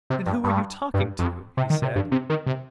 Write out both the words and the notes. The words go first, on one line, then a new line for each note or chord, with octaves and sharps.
"Then who are you talking to?" he said.
C3
G2
G2
G2
F2
C3
D#3
C3
G2
C3
D#3
C3